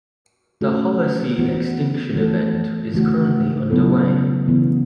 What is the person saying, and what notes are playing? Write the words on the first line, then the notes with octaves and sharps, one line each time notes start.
The Holocene extinction event is currently under way.
A3 C#4 F#4 A4
E3 B3 F#4
E3 A3 F#4 A4
C#3 E3 A3 F#4
C#3 F#3 B3 E4 A4
C#3 E3 B3